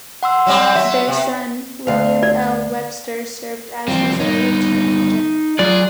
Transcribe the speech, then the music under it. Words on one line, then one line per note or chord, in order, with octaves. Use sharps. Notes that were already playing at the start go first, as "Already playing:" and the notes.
Their son, William L. Webster served as Missouri Attorney General.
F#5 C6 E6
F#3 G3 C4
F#3 E5
C3
D2 F5
D5
E3 F3 G3 C4
G3 B3 D#4 C#5
F#3 F4 G#4 D5